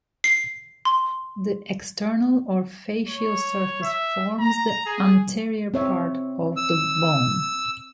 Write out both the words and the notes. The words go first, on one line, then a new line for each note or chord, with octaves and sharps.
The external or facial surface forms the anterior part of the bone.
C7
C6
C#5
E5
A#5
G#4
C4 C#5 E5
E6